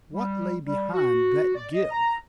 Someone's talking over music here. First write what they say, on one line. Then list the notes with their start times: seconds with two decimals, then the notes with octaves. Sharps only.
What lay beyond that give?
0.13 G3
0.66 G3
0.93 F#4
1.55 D5
1.73 D#5
1.91 A#5